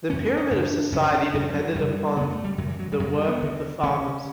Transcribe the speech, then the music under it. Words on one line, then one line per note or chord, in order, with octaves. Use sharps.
The pyramid of society depended upon the work of the farmers.
F#2 C#3 C#4
B3
C#4
F#2 C#3 D4
F#2 C#3 C#4
C#4
D4
F#2 C#3 C#4
E3
F#3
F#2 C#3 G3
F#2 C#3 B3
A3
G3
F#2 C#3 F#3
E3
F#3
G3
F#2 C#3 F#3
G3
B3
D2 D3
D2 D3 C#4